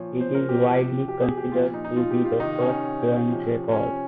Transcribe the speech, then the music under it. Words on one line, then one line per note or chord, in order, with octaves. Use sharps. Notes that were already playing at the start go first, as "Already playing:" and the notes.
It is widely considered to be the first grunge record.
Already playing: A#2 F3 C#5
C5
A#4
G4
C3 F3
G4
G#4
G4
A#2 F3 F4
D#4
D#4
F4
G4
F4
C3 D#3 D#4
C#4
C3 F3
C#4